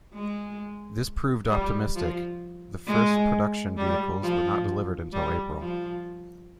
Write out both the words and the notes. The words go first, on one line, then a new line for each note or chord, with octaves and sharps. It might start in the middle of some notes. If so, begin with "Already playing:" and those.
This proved optimistic; the first production vehicles were not delivered until April.
G#3
G3
F3
G#3
G3
F3
G3
F3